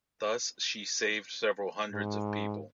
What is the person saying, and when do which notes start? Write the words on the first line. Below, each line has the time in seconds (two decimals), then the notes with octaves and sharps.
Thus she saved several hundreds of people.
1.92 G#2